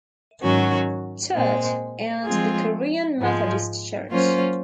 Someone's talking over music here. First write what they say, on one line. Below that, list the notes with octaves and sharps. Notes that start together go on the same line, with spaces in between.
Church and the Korean Methodist Church.
G#2 D#3 F#3 C#4 F#4
A#2 G#3 C4
F3 G#3 C4 F4 G#4
G#2 F3 G#3
F#3 A#3 C#4 F4 C5